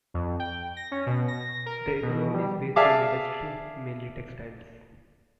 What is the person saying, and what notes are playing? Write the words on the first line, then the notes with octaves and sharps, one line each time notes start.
The economy is based on industry, mainly textiles.
F2
G5
A#6
C#4
B2
A#6
A#4
B2
G3
G#4 D5 E5 F5 A5 D6